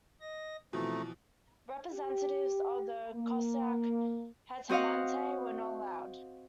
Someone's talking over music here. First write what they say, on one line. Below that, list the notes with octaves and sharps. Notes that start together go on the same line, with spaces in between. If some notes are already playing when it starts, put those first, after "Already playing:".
Representatives of the Cossack Hetmanate were not allowed.
D#5 A#6
B2 E3 F3 A3 C4 A#5
G4
A#3
C4 F#4 D#5 F5 F#5